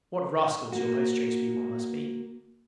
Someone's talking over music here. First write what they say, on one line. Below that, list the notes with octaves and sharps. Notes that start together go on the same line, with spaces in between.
What rascals your post-chaise people must be!
A#3 F#4